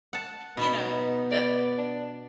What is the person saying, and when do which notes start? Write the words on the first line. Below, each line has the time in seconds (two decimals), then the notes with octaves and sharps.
you know, that
0.13 F#5 A5
0.57 B2 B3 D#4 B5
1.31 D5
1.78 D4